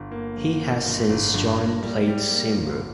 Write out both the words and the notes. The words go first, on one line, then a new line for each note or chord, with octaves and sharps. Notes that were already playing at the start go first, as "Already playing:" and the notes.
He has since joined Plaid Cymru.
Already playing: G1
A#3
G1
A#3
G1
G1
G2
A#3
G3
G3
A#3
G1